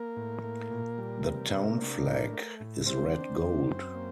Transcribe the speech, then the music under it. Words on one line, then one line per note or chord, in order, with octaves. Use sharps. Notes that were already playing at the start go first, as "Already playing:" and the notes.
The town flag is red-gold.
Already playing: A#3 A#4
A2
A#3
A#2
G3
C3
C3
D4
A2
A3
A2
G3 C4 C5
D4
D4
F#2
A#3